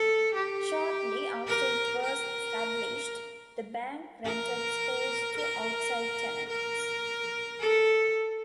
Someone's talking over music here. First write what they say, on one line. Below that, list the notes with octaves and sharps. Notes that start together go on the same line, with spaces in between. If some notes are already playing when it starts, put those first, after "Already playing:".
Shortly after it was established, the bank rented space to outside tenants.
Already playing: A4
G4
A#4
A#4
A#4
A#4
A#4
A4